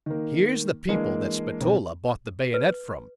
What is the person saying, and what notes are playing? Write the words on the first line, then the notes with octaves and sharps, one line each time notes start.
Here's the people that Spatola bought the bayonet from.
D#3 A#3
E3 G#3 A#3 D4
B1 C4
B4